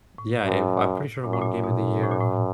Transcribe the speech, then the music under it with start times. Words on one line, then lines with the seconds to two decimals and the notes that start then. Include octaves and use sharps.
yeah if I'm pretty sure won Game of the Year,
0.18 A2
0.45 F#2
1.24 F#2 A#2
1.33 A2
1.41 A#2
1.64 B2
2.04 A2
2.12 A#2
2.20 A2